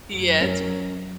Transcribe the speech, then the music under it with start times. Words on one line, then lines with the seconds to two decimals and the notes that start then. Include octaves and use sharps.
Yeah, it's fun.
0.10 F#2 F#3
0.40 C#4 A#4